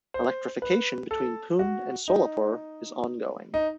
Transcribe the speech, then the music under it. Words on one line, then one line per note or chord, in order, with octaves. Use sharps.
Electrification between Pune and Solapur is ongoing.
C5
B4
A4
F#4
D#4
D#4